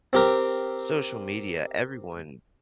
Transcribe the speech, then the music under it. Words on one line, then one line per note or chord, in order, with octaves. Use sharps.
social media, everyone
C4 G4 A#4